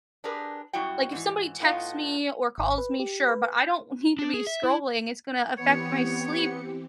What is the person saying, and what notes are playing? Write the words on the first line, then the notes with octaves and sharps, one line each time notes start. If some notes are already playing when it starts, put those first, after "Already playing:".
like, if somebody texts me or calls me, sure, but I don't need to be scrolling, it's gonna to affect my sleep
D4 G4 G#4 A#4 B4
F#2 G3 E4 F#4 G5
G#2 E3
A2 B3 D#4 F4
G#1
B4
G4
B4
G6
D4
G#4
E5
E4
E3 B3 C4 G4 C#5 C#7